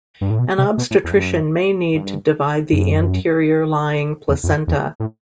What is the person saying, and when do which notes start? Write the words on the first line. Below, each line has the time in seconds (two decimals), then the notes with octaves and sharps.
An obstetrician may need to divide the anterior lying placenta.
0.21 G2
0.30 A2
0.39 B2
0.58 C3
0.78 B2
0.91 A2
1.04 E2
1.12 G2
1.17 F#2
1.95 G2
2.73 F#2
4.29 E2
4.44 E2
4.47 F#2
4.67 E2
5.00 A2